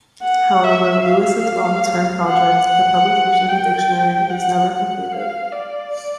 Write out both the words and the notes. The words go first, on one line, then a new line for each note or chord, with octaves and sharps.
However, Lewis's long-term project, the publication of a dictionary, was never completed.
F#5
E5
F5
F#5
F#5
G5
F#5
F#5
F5
D5